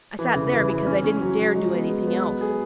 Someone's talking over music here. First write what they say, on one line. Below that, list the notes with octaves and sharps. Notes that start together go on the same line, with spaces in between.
I sat there because I didn't dare do anything else.
E3
C#3
E3
E3
C#4
C#4
F#3
F#3
G#3
B3
G#3
B3
F#3
G#4